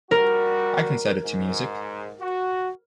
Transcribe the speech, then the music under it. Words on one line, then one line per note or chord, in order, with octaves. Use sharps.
I can set it to music.
G3 F#4 A#4
G#2
F#4